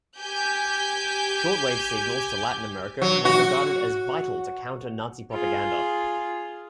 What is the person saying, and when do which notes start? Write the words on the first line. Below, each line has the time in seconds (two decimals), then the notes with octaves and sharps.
Shortwave signals to Latin America were regarded as vital to counter Nazi propaganda.
0.19 G4 G#5 G6
3.02 F#3
3.25 F#4
5.31 F4 G#4